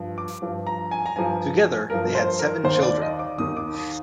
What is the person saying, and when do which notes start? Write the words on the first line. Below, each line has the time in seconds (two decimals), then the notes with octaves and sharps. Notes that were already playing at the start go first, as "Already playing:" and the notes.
Together, they had seven children.
Already playing: G2 F3
0.18 D6
0.42 G2 F3
0.67 A#5
0.91 G#5
1.06 A#5
1.16 G2 F3 G#5
1.90 G2 F3 A#4
2.15 C5
2.39 A#4
2.64 D#2 D#3 C5
2.83 D5
3.01 D#5
3.19 D6
3.38 D#2 D#3 D#6
3.57 D6
3.75 D#6